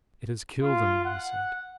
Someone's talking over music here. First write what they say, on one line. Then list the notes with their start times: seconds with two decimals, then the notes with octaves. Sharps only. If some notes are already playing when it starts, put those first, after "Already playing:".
"It has killed him!" he said.
0.63 F4
1.04 F#5